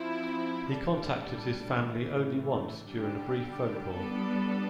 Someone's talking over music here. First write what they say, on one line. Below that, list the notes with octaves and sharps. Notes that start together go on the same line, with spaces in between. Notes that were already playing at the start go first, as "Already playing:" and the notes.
He contacted his family only once during a brief phone call.
Already playing: F3 C4 E4
A2 G3 D4 A4
A2 E3 A3
D3 G3 D4 G4
G3 B3 D4 A4